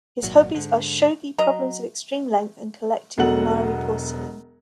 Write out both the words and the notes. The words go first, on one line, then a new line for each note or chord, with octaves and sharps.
His hobbies are shogi problems of extreme length and collecting Imari porcelain.
G#1 A#2 F#3
G#2 D3
F#3 D#5 A#5
E1 B2 F#3 A4 F#5 F#7